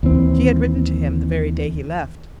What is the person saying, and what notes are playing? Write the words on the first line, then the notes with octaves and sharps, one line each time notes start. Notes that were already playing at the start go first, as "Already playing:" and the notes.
She had written to him the very day he left.
D#2 E3 C4